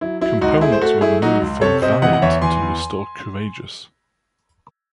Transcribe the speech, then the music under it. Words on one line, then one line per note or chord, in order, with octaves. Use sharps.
Components were removed from "Valiant" to restore "Courageous".
F#3 E4
F#3 E4
C#2 D#4 F#4
A3 E4 G#4
C5
A3 F#4 A4
A3 E4 G#4
F#3 D#4 F#4
C#2
C3 A4 C#5
C3 C5 D#5
E3 D#5 F#5
F#5
E2 C#5 E5
E3 G#5 C6
E2